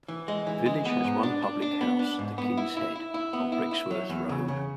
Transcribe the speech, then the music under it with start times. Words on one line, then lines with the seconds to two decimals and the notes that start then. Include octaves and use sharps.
The village has one public house, the "King's Head" on Brixworth Road.
0.08 E3
0.28 G#3
0.47 E3
0.66 G#3
0.85 B3
1.04 G#2
1.23 D4
1.42 D4
1.62 D4
1.81 B3
1.99 D4
2.19 G#2
2.38 B3
2.57 E4
2.77 E4
2.96 E4
3.14 E4
3.33 B3
3.52 E4
3.71 E4
3.91 F#3
4.10 E2
4.29 C#3
4.48 C#3